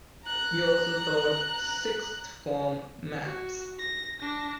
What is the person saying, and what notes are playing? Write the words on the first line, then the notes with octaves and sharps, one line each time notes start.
He also taught sixth-form maths.
A#5 F#6
F#4
A#6
D4 A#6